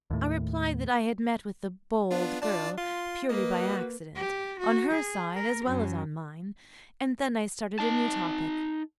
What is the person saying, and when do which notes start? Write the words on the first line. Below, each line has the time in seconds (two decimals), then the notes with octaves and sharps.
I replied that I had met with the "bold girl" purely by accident, on her side as well as on mine; and then I started a new topic.
0.10 D#2 A2
2.11 B3 D4 F4
2.42 D4 F4 D5 A5
2.78 F4 C6
3.29 A#3 B4 D#5
3.60 F#4
4.16 G4
4.59 F#4
4.91 G#4
5.35 A#4
5.65 F#2
7.79 D#4 A5